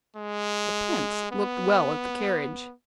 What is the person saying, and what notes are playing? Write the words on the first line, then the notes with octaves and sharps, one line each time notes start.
The prince looked well at the carriage.
G#3
B3